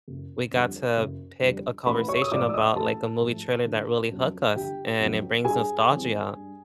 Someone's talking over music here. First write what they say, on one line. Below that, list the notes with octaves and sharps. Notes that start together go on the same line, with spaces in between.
we got to pick a conversation about, like, a movie trailer that really hook us, and it brings nostalgia,
F#1
F2 D3 G3
F#1
F2 D3 G3
A1 B4 B5
C#5 C#6
D#6
G#2 F3 A3 D5 D6
E6
D#5 D#6
A1 A4 A5
G#2 F3 A3
G1
F2 C#3 F#3 B3
G1 G4 G5
F2 C#3 F#3 B3
G2 G#4 G#5
E3 G3 C4
G2